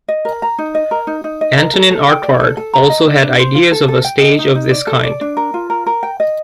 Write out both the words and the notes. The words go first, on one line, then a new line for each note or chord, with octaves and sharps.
Antonin Artaud also had ideas of a stage of this kind.
D#5
A#4
A#5
D#4
D#5
A#4
D#4
D#4
D#5
A#4
A4
A4
G5
D5
A4
A4
A#5
D#5
D4
D4
C5
F4
A4
A4
G5
D#5
D#4
D#4
D5
A4
D5
D4
A#4
F4
A#4
A#4
G5
D#5